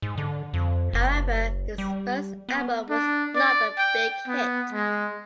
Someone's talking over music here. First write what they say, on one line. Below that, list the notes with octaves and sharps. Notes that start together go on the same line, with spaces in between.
However, his first album was not a big hit.
G#2
D3
F2
F#1
G3
B3
D4
D5
G5
B3
G#3